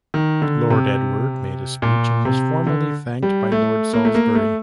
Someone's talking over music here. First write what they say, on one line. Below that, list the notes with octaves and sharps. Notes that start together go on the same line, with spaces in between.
Lord Edward made a speech, and was formally thanked by Lord Salisbury.
D#3
D3
C3
A#2
C3
D3
G3
A3
A#3
A3
A#3
A3